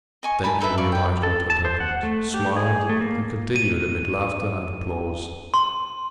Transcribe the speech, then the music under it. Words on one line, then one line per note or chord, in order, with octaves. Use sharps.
Then he realized what had happened, smiled and continued amid laughter and applause.
D#5 G#5 C#6
A#4 G#5 A5 B5
D#4 A4 B4 E5
D5 F5 C#6
B4 G5
A4
A5
C5
F#5
A3
G4
G#4
A3
A#3
D#7
C6